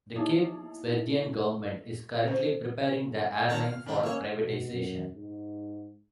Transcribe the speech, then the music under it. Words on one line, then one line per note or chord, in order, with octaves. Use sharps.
The Cape Verdean government is currently preparing the airline for privatization.
A#3 B3 D#4 E4
C5
G#1 D#3 C#5 A5 A#5
F5 F6
C3 D#3 E3 D4
A#3 C#4 C#5 E6
B2
F#2
G#2